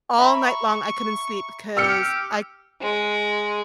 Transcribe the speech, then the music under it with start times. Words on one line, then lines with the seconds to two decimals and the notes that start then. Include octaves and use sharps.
All night long, I couldn't sleep because I c
0.19 E5 A#5 B5 C#6
1.77 G4 E6 F6 C#7
2.82 G#3